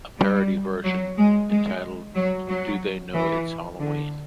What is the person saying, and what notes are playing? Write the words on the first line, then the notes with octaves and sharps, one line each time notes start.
A parody version entitled Do They Know It's Hallowe'en?
G3
F#3
G#3
G#3
F#3
F#3
E3
D3